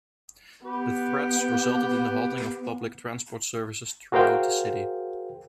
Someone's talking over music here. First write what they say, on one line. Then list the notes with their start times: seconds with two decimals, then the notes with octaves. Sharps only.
The threats resulted in the halting of public transport services throughout the city.
0.64 B3 G4 B4
4.12 F#4 G#4 A#4 C5 F5 G5